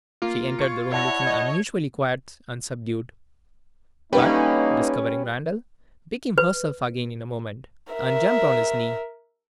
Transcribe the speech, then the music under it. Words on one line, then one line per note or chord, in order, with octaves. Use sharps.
She entered the room looking unusually quiet and subdued--but, discovering Randal, became herself again in a moment, and jumped on his knee.
A#3 F4
C#6 G#6 C#7
E4 C#5 D5 E5 F#5 A5 A#6
D#5
D3 E3 G3 A#3 C#4 D#4 B4 G5
B4
A#4 E5